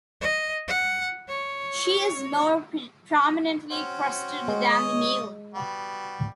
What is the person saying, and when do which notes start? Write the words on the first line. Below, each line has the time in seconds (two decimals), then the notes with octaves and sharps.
She is more prominently crested than the male.
0.21 D#5
0.68 F#5
1.28 C#5
3.70 C4 C#4 F#4
4.48 G#3
4.69 C#5 D#5 D#6
5.54 G3 B3 F#4